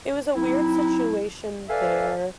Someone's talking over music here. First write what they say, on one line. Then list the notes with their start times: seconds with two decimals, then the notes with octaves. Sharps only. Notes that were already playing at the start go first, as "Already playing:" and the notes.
it was a weird situation there
0.36 F#3 C4 D#4 E4
1.69 A4 B4 D5 E5 F5 G#5